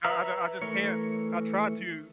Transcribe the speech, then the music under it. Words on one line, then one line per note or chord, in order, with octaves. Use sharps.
I I I just can't I try to
B4 C#5 E5 A#5 E6
E3 A3 A#4 C#5